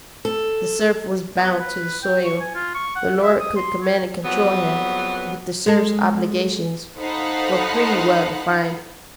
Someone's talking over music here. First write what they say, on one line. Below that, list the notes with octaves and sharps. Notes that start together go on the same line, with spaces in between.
The serf was bound to the soil; the lord could command and control him; but the serf's obligations were pretty well defined.
A4
B3
B4
G5
C#6
G#5
F4
C#6
F#5
E5
D#6
C6
C#5
F2 F#3 G3 B3
G#3 A4
D#4 A4 C5 F5 F#5 B5